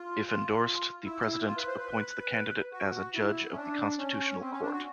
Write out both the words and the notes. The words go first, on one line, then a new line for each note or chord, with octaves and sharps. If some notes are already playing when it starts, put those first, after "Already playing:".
If endorsed, the President appoints the candidate as a judge of the Constitutional Court.
Already playing: F4
E4
F4
B4
C5
B4
F#4
E4
C#4
D4
C#4
C4
C#4
D4
F#4